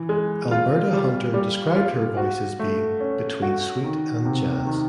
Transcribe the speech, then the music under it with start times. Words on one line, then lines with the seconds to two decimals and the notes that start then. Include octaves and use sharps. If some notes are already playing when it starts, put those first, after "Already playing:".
Alberta Hunter described her voice as being "between sweet and jazz".
Already playing: E3
0.09 G#3
0.51 F4
0.93 G3
1.34 G3
1.75 F4
2.17 F#4
2.59 A3
3.00 C#4
3.42 F#4
3.84 D#3
4.25 C3
4.67 D#3